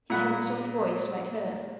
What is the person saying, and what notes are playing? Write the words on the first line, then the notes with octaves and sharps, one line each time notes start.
He has a soft voice, like hers.
A#2 F#5 B5